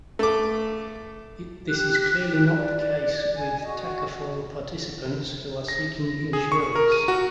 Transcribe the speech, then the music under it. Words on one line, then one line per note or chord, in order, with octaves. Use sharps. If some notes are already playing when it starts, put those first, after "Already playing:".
This is clearly not the case with Takaful participants who are seeking insurance.
A3 D6
G4 F#6
D5
G#5
F#4 D#5
A#6
G#4
C#6
A#4
D#7
F#4